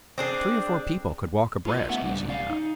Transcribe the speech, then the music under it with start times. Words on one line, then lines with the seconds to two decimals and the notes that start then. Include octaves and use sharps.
Three or four people could walk abreast easy enough.
0.18 C4 D4 G#4
1.66 F4 F#4 B4 D#5
1.89 A3 B3 C#4 E5 F#5
2.05 G#2 C#3 G3 D4
2.28 C#4 D5 F5
2.50 D#4